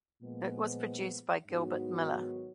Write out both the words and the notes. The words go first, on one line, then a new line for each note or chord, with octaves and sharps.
It was produced by Gilbert Miller.
A#2 F3 G#3 B3
G#2 D#3 F#3 B3 F#4